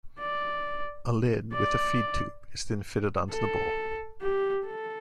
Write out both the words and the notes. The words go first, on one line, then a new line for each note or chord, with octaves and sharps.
A lid with a "feed tube" is then fitted onto the bowl.
D5
D5
A4
G4
A4